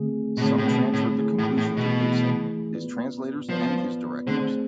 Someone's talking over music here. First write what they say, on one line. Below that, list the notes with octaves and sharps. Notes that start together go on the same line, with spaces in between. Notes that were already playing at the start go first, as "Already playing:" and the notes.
Some transferred the conclusion to Ibsen, his translators and his director.
Already playing: D3 A3 C4 G#4
B2
A2 D3 A3 C4 G#4
A2
B2
A2
E3 A3 E4 G#4
A2
A2
B2
E3 A3 E4 G#4
B3 F4 B4 D5
F3 B3 F4 B4 D5
D3 A3 C4 G#4 C5